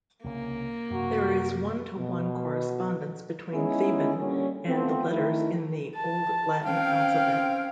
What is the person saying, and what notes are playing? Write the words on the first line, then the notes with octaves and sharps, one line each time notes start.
There is one-to-one correspondence between Theban and the letters in the old Latin alphabet.
C2 C#3 A#3
F#2 C3 F#4
B2
G#3 B3 C#4 D#4 E4 G#4
A#2 D3 G3 C#4
F3 A3 B3 C4
D#3 A3 E4
A5
C4 C#4 F5 G5